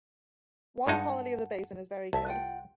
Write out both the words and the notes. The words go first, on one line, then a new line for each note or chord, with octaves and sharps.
Water quality of the basin is very good.
G2 G#3 D#4 F#5 A5
C2 E5 A5
F4 F#5 G5